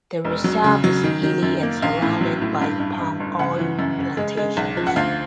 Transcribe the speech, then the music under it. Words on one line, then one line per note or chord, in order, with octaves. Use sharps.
The reserve is hilly and surrounded by palm oil plantations.
E1
F#3
C#3
F#3
D#3
D#3
F#2
A#3
A#1 F5
A2
F#3
A2
G2
G2
G2
G1
C#3 F#5
E3
F#2
C#3
G#3
G#3
B1
F3
F#5
D2 F5